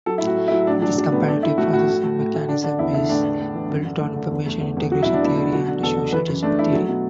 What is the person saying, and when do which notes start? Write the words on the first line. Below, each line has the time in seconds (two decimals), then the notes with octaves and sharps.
This comparative processing mechanism is built on "information-integration theory" and "social judgement theory".
0.06 F#3 A4
0.18 E4
0.22 A2 F#4
0.37 A3
0.48 E4
0.52 F#3
0.67 A2 D4
0.82 F#3 D4
0.98 F#3 D4
1.12 A2 B3
1.28 A3 D4
1.43 A2 E4
1.58 A3 F#4
1.73 A2 F#4
1.89 A2
2.04 A3
2.19 A2
2.34 A3
2.49 D3 D4
2.64 D3 D4
2.79 E2 E4
2.94 D3 E4
3.09 A2 D4
3.25 A2
3.40 A2
3.55 E3
3.70 F#2
3.85 D3
4.01 A3
4.16 D3
4.31 E2
4.46 A3
4.61 E2
4.77 E2
4.92 F#3 F#4
5.02 B2 E4
5.14 D4
5.22 A3 E4
5.37 B2
5.52 F#3 F#4
5.67 D3
5.83 E2 A4
5.97 D3
6.13 E3 B4
6.28 F#2
6.43 A3 D4
6.59 A3 E4
6.73 F#3
6.88 B2